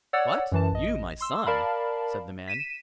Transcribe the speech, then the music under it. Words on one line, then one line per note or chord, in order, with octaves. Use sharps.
'What, you my son!' said the man.
C#5 D5 F#5 E6
F#2 E3 A5
A1 D#5
C6 E6
A#4 D5 F5 A5 B5
B6 D#7 E7